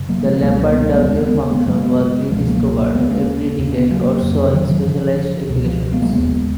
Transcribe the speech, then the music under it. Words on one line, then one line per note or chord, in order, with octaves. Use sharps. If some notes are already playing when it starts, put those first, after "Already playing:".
The Lambert W function was "re-discovered" every decade or so in specialized applications.
Already playing: F#2 C#3
F#3 A#3
F3 G#3
C#2 B2 F#3 A#3
F#3 A#3
B3
A#3
G#3 B3
D#2 C#3 F#3
G#3
A#3
B3
A#3 C#4
G#3 B3
F#2 C#3 F#3 A#3
G#3 B3
C#2 B2 F3 G#3
F#3 A#3
D#2 C#3 G#3 B3
A#3 C#4
D#2 C#3 C#4
B3
F#3 A#3
F2 C#3
D#3 F#3
D#3 F#3
F#2 C#3 F3
C#2 B2
F3
G#3 B3
F#3 A#3
D#2 C#3 G#3 B3